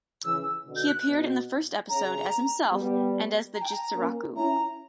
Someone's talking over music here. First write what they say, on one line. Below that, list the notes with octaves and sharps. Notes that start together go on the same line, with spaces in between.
He appeared in the first episode, as himself and as the Jitsuroku!
C#3 E3 E6
B2 D3
G6
F#6
B2
C#3 A#5
G3 B3
A#5
G5
A#5
A#3 C#4
C#4 E4 A#5